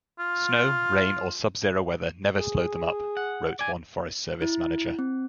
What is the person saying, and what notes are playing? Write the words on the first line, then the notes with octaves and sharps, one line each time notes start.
'Snow, rain, or sub-zero weather never slowed them up,' wrote one Forest Service manager.
F4
G#4
F#5
D5 G#5
E4
C4